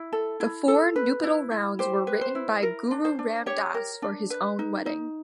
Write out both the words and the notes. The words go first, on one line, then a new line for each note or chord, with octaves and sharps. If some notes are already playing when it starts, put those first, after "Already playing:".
The four nuptial rounds were written by Guru Ram Das for his own wedding.
Already playing: E4
A4
E4
A4
B4
E4
E4
G4 C5
B4
C5
E4
A#4
D4
C5
D4
G4 C#5
A#4
D4
B4
D#4
D#4